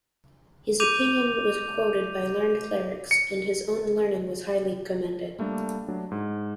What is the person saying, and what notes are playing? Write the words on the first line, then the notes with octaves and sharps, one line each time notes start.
His opinion was quoted by learned clerics, and his own learning was highly commended.
D6 G6 D#7 F7
C#7
G3 A3 A#3 D4
F#3 A3 D4
G#2